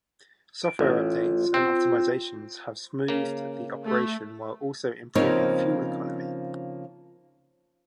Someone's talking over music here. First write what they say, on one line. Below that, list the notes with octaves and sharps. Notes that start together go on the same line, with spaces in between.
Software updates and optimisations have smoothed the operation while also improving fuel economy.
D7
A1 F4
C4
C#3 A#3
A3
C#3 F3 A#3 C4 D#4 C#5